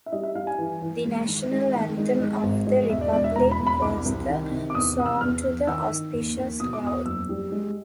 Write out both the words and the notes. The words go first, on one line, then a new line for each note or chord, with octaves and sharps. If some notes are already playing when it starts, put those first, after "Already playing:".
The national anthem of the republic was the "Song to the Auspicious Cloud".
E5
G3 D#5
E5
G3 F5
G#5
E3
E3
G#3
D#3
G#3
D#3
G#3
G#3
G#1
G#3
E1 E5
D5
E1 D5
E5
E1 A#5
B5
E1
B5
C2 D6
C2
D#3
C3
D6
E2 D#6
C3 D#6
E6
E2 F6
E2
D#3 E6
D#3
D#2
D#2
B2 D#6
D6
E2 D#6
F#1 E6
G3
G#3